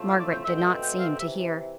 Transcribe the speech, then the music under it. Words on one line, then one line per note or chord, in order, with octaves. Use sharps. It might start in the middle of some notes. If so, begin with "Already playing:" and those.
Margaret did not seem to hear.
Already playing: A2 F3 A3 C4
F5
D5
G5
B2 A3 C4 E5
G5
G5
F5
C3 E3 E5